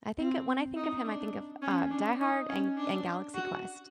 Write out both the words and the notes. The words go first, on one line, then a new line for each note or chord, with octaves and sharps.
I think when I think of him, I think of, uh, "Die Hard" and and "Galaxy Quest"
C4
D#4
D4
C#4
D4
D#4
C#4
D4
F#4